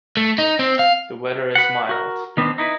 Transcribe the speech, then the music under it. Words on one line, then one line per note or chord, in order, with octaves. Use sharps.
The weather is mild.
A3
D#4
C4
F5
B4 F#5
F#4 A#4
D#3 B3 C4 D4
D#4 E4 B4